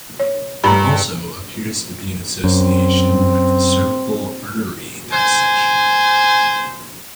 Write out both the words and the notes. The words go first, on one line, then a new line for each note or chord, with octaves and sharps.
There also appears to be an association with cervical artery dissection.
C#5
G2 A#5 B5
F#2 C4
C5 G#5